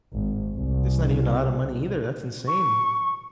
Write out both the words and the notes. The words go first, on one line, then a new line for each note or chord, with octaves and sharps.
That's not even a lotta money either, that's insane.
G#1
C2
C#6